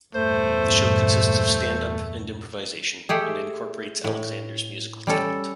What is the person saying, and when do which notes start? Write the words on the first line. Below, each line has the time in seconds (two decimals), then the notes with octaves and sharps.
The show consists of stand-up and improvisation and incorporates Alexander's musical talent.
0.15 E2 G2 A#2 A3 C5
3.09 A3 G4 G#4
4.04 A2
5.07 G3 C#4 A4